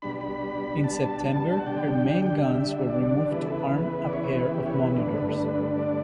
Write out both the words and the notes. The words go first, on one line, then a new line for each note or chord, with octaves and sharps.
In September her main guns were removed to arm a pair of monitors.
B2 G3 D4 B5
B5
A5
F#5
D3 G3 D4 G5
E5
D5
C#3 E3 B3 E4 B4
A4
B4
D5
C#5
C#5
B4
G4
C#5
B4
G2 D3 A3 D4 B4
D5